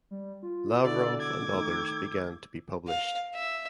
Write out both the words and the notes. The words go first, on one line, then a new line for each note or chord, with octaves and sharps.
Lavrov and others began to be published.
G3
F4
B2 D3 E4 D5 E6
D6 G#6
D#3 A3
F5
E5